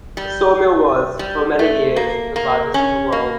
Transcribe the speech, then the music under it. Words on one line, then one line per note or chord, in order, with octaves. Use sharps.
The sawmill was, for many years, the largest in the world.
G3
G3
A3
A#3
A#3
C#4
A#3